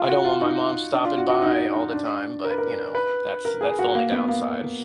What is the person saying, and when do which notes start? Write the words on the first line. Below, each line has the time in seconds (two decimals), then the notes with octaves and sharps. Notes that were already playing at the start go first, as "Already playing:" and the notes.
I don't want my mom stopping by all the time, but, you know, that's that's the only downside.
Already playing: F4
0.09 F#4
0.25 F4
0.42 D#4
0.93 D4
1.05 F4
1.18 F#4
1.30 F#4
1.42 D#4
1.76 D#4
1.93 D4
2.44 A#4
2.51 B4
2.58 A#4
2.95 B4
3.45 A#4
3.61 G#4
3.79 F#4
3.95 A#3
4.12 B3
4.28 A#3